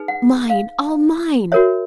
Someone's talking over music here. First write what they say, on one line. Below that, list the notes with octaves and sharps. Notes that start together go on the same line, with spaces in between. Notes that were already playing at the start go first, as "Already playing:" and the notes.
"Mine, all mine!"
Already playing: D#4 G#4 B4
F#5
F5
F#4 A#4 C#5 E5